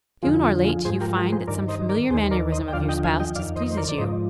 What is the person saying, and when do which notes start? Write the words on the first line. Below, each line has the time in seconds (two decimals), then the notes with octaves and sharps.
Soon or late you find that some familiar mannerism of your spouse displeases you.
0.23 F2 D3 F3 F4 G#4
0.43 F4
0.64 F4 G#4
0.85 G#2 F3 G#4 C5
1.01 G4 A#4
1.17 G4 A#4
1.32 G#4 C5
1.48 G2 D#3 A#4 D5
1.68 C5 D#5
1.89 A#4 D5
2.11 D#2 D#3 G#4 C5
2.31 A#4 D5
2.52 C5 D#5
2.68 G5
2.73 D#2 D3 F3 D5 F5
2.89 D#5 G5
3.04 F5 G#5
3.20 D#5 G5
3.35 F2 D#3 D5 F5
3.56 C5 D#5
3.71 C5
3.77 A#4 D5
3.89 D5
3.98 G#2 F3 C5 D#5